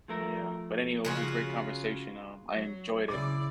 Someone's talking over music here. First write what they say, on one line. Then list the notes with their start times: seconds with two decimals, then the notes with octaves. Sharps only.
Yeah. But anyhow, it was a great conversation, um, I enjoyed it.
0.08 F3 A3 A#4
1.05 C#3 F4 F#4
2.50 F#3
3.08 C#3 E4 D5 D6